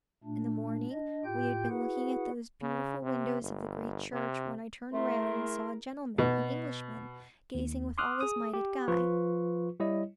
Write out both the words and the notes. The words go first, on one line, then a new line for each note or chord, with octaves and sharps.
In the morning, we had been looking at those beautiful windows of the great church, when I turned round, and saw a gentleman--an Englishman--gazing with all his might at Guy.
A#2 A3 D4
D4 D#5
A2 F4 G4 G5 G6
E4 F#4 G#4 B4 F#5
C#3
C3
G1
C3
A3 E4 G#4 A#4 E5 C6
B2
D#2
C6 D6 D#6 F6 F#6
G#4 D#6
G4
F3 F4 B4 C#6
G3 E4 C#5 D#5